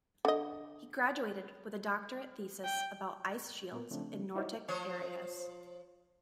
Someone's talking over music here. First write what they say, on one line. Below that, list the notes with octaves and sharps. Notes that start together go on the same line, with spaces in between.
He graduated with a doctorate thesis about ice shields in Nordic areas.
D3 D#5
G5
A#2 B3 A#4
C#3 F3 A3 C4 D4
D#4 E4 F#4 C5 C#5 D#5
F3 C5 C#5